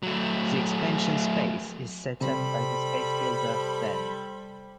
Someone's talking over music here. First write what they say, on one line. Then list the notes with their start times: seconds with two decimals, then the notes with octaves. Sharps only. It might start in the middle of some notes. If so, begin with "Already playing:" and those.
The expansion space is set up by the space builder "then".
0.03 F#3 A3
2.21 C3 G3 A4 C5 B5